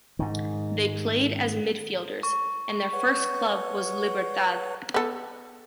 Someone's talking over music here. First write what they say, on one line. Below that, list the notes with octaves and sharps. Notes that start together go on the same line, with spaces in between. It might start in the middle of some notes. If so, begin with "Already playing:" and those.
They played as midfielders and their first club was Libertad.
G#2 D#3
C#6
B4 C#5 F#5
B3 A4